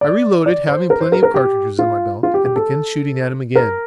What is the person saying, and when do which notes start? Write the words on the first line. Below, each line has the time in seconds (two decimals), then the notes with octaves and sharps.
I reloaded, having plenty of cartridges in my belt, and began shooting at him again.
0.01 D5
0.46 D5
0.68 C5
0.90 A#4
1.01 C5
1.12 A#4
1.23 A#4
1.34 G4
1.79 F4
2.23 F4
2.34 G4
2.45 G4
2.56 A4
3.56 A#4